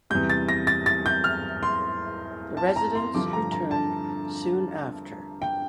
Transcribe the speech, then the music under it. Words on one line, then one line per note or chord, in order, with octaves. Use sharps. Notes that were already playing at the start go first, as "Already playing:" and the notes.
The residents returned soon after.
E2 C3 G3 G6
A6
A#6
A6
A6
G6
F6
C6
A5
A#5
C6
G2 D3 F3 D6
A#5
A#5
A5
G5